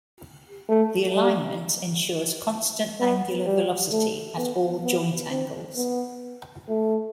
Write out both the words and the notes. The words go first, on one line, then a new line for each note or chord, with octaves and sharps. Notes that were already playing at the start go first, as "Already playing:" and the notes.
The alignment ensures constant angular velocity at all joint angles.
A3
G3
B3
G3
A3
B3
B3
C4
B3
A3